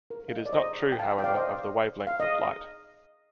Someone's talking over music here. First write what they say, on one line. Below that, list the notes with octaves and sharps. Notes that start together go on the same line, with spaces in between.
It is not true, however, of the wavelength of light.
A#4
F5
D#5
D5
C5 D#5
G5
F5 A5
G5
D5 F5
C5 D#5
F5
D#5